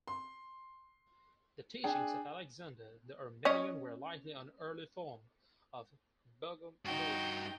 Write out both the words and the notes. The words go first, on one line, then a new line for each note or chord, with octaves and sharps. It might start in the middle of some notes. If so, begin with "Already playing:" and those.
The teachings of Alexander the Armenian were likely an early form of Bogomilism.
C6
D4 G#4 G5
C#4 C#5 D#5
G2 D#4 F#4 G5